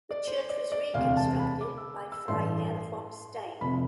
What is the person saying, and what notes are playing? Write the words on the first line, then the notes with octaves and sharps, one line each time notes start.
The church was reconstructed by Freiherr vom Stein.
D5
C5
D5
D5
E1 D2 C3 F5
A5
B5
D6
E6
E6
A1 G2 E3 C6
F1 F2 C3 B5